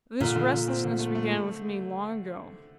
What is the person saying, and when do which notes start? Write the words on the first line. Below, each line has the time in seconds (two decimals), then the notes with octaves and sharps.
'This restlessness began with me, long ago.
0.20 A#2 D3
0.36 D3
0.52 D3
0.68 C4
0.83 D3
0.99 A3
1.15 A3